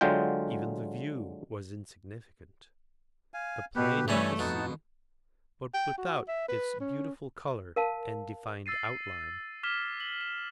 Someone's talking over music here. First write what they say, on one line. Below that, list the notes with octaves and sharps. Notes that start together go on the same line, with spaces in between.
Even the view was insignificant;--a plain like the sea, but without its beautiful colour and defined outline.
D3 F#3 G#3 F4 G5
F5 G#5
B2 G4 B4
G2 E3 G3 A3 C#4 G#5 A5 B5
F2 B2 D#4 F#5 A5
G5
F#4
E5
B4
C#4
A#4 F5 A5
E6 A6 C7 D#7
D6 F6 G#6 B6 E7 G7
F#7
E7